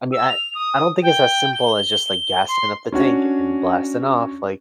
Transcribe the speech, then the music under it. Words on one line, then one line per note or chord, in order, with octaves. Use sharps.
I mean, I I don't think it's as simple as just, like, gassing up the tank and blasting off, like
E6
F7
D#6
G5
G7
C6
C#4 D4 F#4 C#5